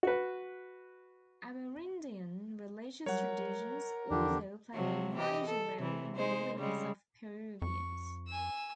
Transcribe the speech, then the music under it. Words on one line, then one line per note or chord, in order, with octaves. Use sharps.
Amerindian religious traditions also play a major role in the beliefs of Peruvians.
F#4 B4
F#3 G3 A#4 C#5 F#5
E2 D3 E3 F3 D4 G4
C3 F3 F#3
E3 G4 D#5
A4
C3 E3
G#3 D#4 C5
C#3 G3 G#3
F2 C#6
G#5 E6